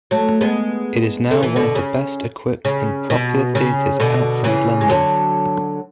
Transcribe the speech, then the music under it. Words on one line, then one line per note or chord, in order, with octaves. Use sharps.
It is now one of the best equipped and popular theatres outside London.
F#3 A3
G#3 B3
D3
E3
B2 D3
C#3
C#3
B2
C#3
B2 D3
C#3 E3
G#3
D3 F#3